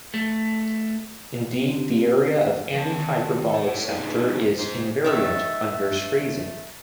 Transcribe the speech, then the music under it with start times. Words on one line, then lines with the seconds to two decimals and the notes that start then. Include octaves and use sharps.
Indeed, the area of any hyperbolic sector is invariant under squeezing.
0.14 A3
1.68 C3
2.75 D#3 A5
3.50 A4 C#5
3.90 G2 B2 D4 D#4 G#4
4.58 G#2 C5
5.04 D#3 F#3 A3